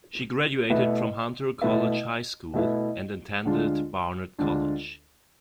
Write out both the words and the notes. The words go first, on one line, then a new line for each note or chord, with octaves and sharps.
She graduated from Hunter College High School and attended Barnard College.
B2 A3 E4 B4 E5
B2 A3 E4 B4 E5
B2 A3 E4 B4 E5
D2 D3 G#3 D4 F4
D2 D3 G#3 D4 F4